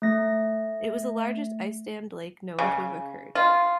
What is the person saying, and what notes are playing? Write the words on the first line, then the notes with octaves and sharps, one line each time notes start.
It was the largest ice-dammed lake known to have occurred.
A3 A#6
C#3
F4